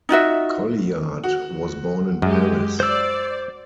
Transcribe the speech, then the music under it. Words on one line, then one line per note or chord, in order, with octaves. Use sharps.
Colliard was born in Paris.
D#4 F4 F#4 E5
F#4
F#2 G#3 G4
C5 D5 E6